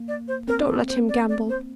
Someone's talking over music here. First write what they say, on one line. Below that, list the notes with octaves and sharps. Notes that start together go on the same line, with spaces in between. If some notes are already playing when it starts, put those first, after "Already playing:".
But don't let him gamble.
Already playing: A#3
D5
C5
C4 A#4
A4
C5
D5
D5
C5